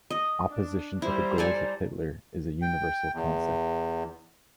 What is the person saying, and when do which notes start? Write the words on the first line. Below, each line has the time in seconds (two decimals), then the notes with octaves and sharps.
Opposition to the goals of Hitler is a universal concept.
0.10 D#5
0.49 D4
1.02 G3 E4 C5 A#5
1.38 A4 D5 G#5
2.62 G5
3.14 E2